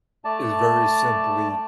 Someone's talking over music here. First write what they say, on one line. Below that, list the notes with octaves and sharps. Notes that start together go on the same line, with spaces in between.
is very simply,
A3 D5 A5